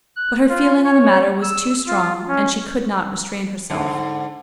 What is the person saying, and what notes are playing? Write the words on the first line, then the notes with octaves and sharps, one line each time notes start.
But her feeling on the matter was too strong, and she could not restrain herself.
F#6
F4
C#5
E6
F4
C#4
G#2 D3